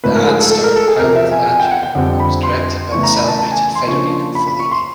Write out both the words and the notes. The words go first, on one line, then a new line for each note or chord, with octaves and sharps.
The ad starred Paolo Villaggio, and was directed by the celebrated Federico Fellini.
G#2 F3 A3 B4
A#4
G#4
A4
A4
A#4
A4
G#4
E2 C3 F3 A#4
E5
G#5
G#5
G5
F#5
G5
F2 D3 G3 C4
B5
C6
E2 C#3 E3 A3 C#6
A#5
B5
A5
A5
G#5
C6
C#3 F3 A#3 D4 C#6
B5
B5
C#6
C6